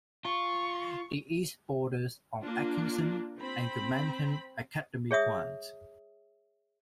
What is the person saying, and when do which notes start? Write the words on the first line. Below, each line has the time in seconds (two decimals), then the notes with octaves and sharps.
The east borders on Atkinson and Gilmanton Academy Grant.
0.25 F4 C#6
2.41 A#3 D4 F4
3.37 C4 B5
5.11 G#4 C#5 E5 D#6